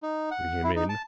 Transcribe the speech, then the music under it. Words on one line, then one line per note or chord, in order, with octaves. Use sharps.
"Bring him in."
D#4
F#5
E4
D#4
A5